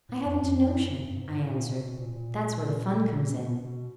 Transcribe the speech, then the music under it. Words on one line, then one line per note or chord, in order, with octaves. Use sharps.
'I haven't a notion,' I answered; 'that's where the fun comes in.
A2
F2
F2
F#2
G2
G#2
A2
A#2
B2
B2
A#2
A#2
A#2
B2